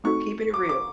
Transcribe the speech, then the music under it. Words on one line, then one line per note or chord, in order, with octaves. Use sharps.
keeping it real.
A3 C4 D#4 F#4 A4 C#6
D6
D6